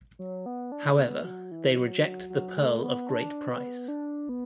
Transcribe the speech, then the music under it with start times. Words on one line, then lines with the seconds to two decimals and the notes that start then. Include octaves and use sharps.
However, they reject the Pearl of Great Price.
0.19 F#3
0.46 B3
0.72 D4
0.98 B3
1.24 F#3
1.51 E3
1.77 F#3
2.04 F#3
2.30 F#3
2.57 A3
2.83 B3
3.09 D4
3.49 B3
3.88 D4
4.29 B3